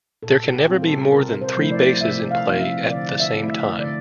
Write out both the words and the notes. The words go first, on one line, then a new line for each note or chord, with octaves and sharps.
There can never be more than three "Bases" in play at the same time.
A#2 A4
G4
G3 C4 F4
A4
C3 A#4
C5
F3 A3 E4
D5
C3 E5
F5
F3 C4 E4
E5
D3 D5
E5
A3 E4
E5
D3 D5